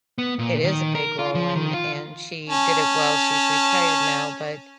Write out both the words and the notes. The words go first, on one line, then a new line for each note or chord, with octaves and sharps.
It is a big role, and and she did it well, she's retired now, but
B3
A#2
D#3
A#4
F4
F3
D#3
F4
C#4 A5